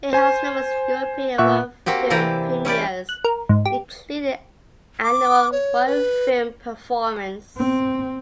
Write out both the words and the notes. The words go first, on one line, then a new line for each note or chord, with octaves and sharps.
It hosts numerous European and world film premieres including the annual Royal Film Performance.
C5 G#5
A#2 E5 F#5 C#6 F#6
A#3 C4 F#4 G4
C3 E3 E4 G4 D5 A#5
C#4 E4 G4 D5
F#6
A#4
G#2
G4
D6
C#5
B4
C4